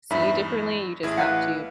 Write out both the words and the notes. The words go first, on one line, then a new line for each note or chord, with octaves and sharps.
see you differently. You just have to
E2 G2 D#4 E5 B5
A1 E4 G#4
B4 F5 F#5